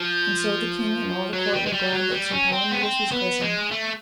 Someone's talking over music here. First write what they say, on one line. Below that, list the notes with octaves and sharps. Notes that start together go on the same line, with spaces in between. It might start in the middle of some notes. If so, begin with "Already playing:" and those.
And so the king and all the court were glad that Sir Palomides was christened.
Already playing: F3
F#3
G3
G#3
G3
F#3
G3
C#4
C4
B3
C4
B3
G#3
A3